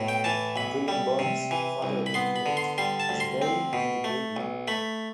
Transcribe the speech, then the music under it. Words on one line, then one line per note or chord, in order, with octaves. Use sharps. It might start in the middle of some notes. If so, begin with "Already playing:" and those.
William Burnes, father of the poet, is buried in the graveyard.
Already playing: B1 A2
G5
E3 A5
B1 B5
G3
C3
E3
C2
B5
B3 C6
B5
D3
C6
G3 C6
A5
D2
C6
C4
B2
A3
B1
A3 B5